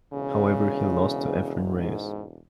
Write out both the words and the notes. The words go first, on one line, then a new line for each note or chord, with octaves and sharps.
However, he lost to Efren Reyes.
E1 C#3
G#2